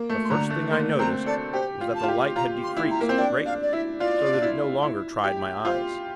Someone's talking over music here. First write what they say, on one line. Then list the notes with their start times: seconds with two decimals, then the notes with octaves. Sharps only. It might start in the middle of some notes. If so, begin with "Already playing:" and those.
The first thing I noticed was that the light had decreased, greatly; so that it no longer tried my eyes.
Already playing: A#3
0.09 A3
0.25 C6
0.30 D3 A#5
0.50 A3
0.71 A#3 C6
0.99 C4 A#5
1.26 A4 D5
1.53 G4 C5
1.81 F4
1.95 A5
2.03 F4
2.08 G4
2.36 F4 A#5
2.63 C6
2.77 E4
2.91 A#5
3.01 A#3
3.09 C4
3.18 D4 G5
3.46 D4 F5
3.62 D5
3.73 E4 E5
4.00 F4 D5
4.34 D4
4.42 E4
4.82 E4
5.24 G4
5.65 F4 C5